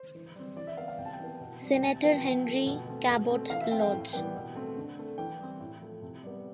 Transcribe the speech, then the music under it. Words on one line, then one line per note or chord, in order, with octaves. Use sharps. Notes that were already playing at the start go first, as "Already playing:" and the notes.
Senator Henry Cabot Lodge.
Already playing: C5
E3
G3 C4
E3 D5
E5
B3 F5
F5
C3 G5
A5
G5
E3 B3
B2
G3 C4
G5
C3 A5
F3 B3 G5
C3 G5
F3 A3
B2
A3 C4
B2
A3 C4
E3 F5
E5
A3 C4 G5
G5
A2
E3 G3 B3 G5
B2
A3 C4
D3
A3 C4
E3 G5
G3 C4
A2
F3 A3
C3
G3 B3